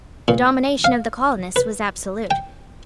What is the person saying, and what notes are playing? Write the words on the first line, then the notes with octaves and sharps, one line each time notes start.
The domination of the colonists was absolute.
A#2
F5
B4
G5